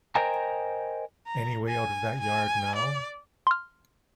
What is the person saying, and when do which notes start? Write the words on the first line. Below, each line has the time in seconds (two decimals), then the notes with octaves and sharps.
Any way out of that yard, now?
0.15 A#4 C5 D#5 G5 G#5 A#5
1.27 A#5
1.68 G#5
2.20 G#5
2.75 D5
3.47 C6 F6